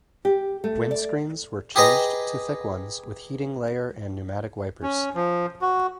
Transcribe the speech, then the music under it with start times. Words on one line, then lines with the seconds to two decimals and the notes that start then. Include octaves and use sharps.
Windscreens were changed to thick ones with heating layer and pneumatic wipers.
0.25 G4
0.64 A3
0.91 D5
1.76 G4 G#4 B4 D#5 A#5
4.83 C#4
5.15 F3
5.62 F#4